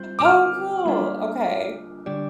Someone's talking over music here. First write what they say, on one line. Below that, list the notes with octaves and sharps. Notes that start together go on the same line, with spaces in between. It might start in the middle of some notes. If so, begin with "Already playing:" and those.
Oh, cool. Okay.
Already playing: G3 C4 F4 C5 G6
D6
F6
G3 A#3 D4 F4
D3 G3 D4 G4 D5